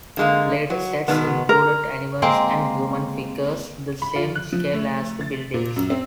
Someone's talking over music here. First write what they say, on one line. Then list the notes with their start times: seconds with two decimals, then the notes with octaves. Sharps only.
Later sets included animals and human figures the same scale as the buildings.
0.17 D3 G#3 A#3
0.70 F#3
1.08 B2 D#3 G#3 B3
1.49 A#4
2.22 G#3 A#3 C4
4.02 B5
4.16 F4
4.36 F#6
4.52 F3
4.73 A3
5.21 A6
5.54 A#2
5.76 F#2
5.90 C4